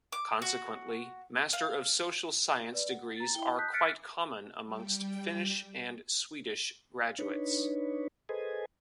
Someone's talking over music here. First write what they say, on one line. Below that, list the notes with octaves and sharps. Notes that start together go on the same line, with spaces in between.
Consequently, Master of Social Science degrees are quite common amongst Finnish and Swedish graduates.
D6
F#4
F5
B4 D5
F#5
A#5 A6
E4 G5 G7
D#5 A5 D#6 F#6 G6 B6
F6 F#6 A6 B6 C#7 D7
G3 G5
D4 D#4 B4 C#5
G#4 A4 B4 C5 D#5 G#5